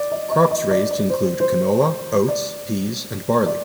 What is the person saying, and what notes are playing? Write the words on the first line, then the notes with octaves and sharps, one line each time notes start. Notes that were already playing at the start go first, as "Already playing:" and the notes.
Crops raised include canola, oats, peas and barley.
Already playing: D5
D#5
D#5
D#5
D5
D5
C5
C5
D5
D5